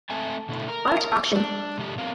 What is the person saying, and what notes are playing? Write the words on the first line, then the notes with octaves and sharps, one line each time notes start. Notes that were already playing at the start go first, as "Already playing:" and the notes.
Art Auction.
A3 C4 A4 E5 G#5 A5
B2 D3 A3 E4
A#4
D4
G#2 C3 F3 D#4 G4 A4
F#3 B3 C4 A#4 F5